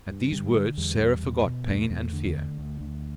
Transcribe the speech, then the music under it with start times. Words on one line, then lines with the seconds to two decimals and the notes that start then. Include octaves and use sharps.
At these words Sarah forgot pain and fear.
0.11 G2
0.32 D3 G3
0.55 D3
0.77 E2 G3
1.00 E2
1.23 B2
1.45 B2
1.67 E2 A3
1.90 E2
2.13 D3
2.35 D3
2.58 D2
2.81 D2